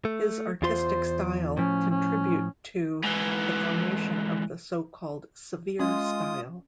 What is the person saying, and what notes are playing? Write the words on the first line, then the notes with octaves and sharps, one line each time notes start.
His artistic style contribute to the formation of the so-called "severe" style.
A3
E2 F4 C5 C6
A2 F3 C#4
C#4
G#2 E3
G#3 C#4 F4 D#6